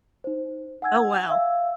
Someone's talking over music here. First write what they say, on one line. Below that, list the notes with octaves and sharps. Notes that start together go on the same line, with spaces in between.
Oh, wow.
D#4 C5
F#5 G#5 E6 G#6
E5 F5 E6